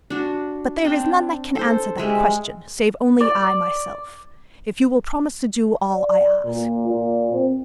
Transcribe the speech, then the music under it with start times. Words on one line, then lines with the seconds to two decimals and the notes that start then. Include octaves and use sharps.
But there is none that can answer that question save only I myself, if you will promise to do all I ask.'
0.10 D4 F#4
0.84 C4 D4 G5
1.55 A4 C5
1.98 G3 G#3 E5
3.21 D5
5.91 D5
6.45 A#2
6.86 A#2
7.31 C4